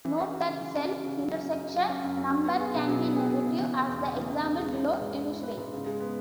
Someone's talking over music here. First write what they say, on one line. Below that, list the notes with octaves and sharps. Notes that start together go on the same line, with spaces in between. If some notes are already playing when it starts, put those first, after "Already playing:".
Note that self-intersection number can be negative, as the example below illustrates.
E3
C#4
F#4
C#3
E3
C#4
F#4
C#3
F#3
C#4
F#2
F#2
F#3
C#4
F#2
F#2
F#3
B3
G#4
B2
F#3
B3
G#4
B2
C#3
E3
C#4
E2
C#3
E3
C#4
E2
G#3
E4
B4
G#2
G#3
E4
B4
G#2
C#3
G#3
B3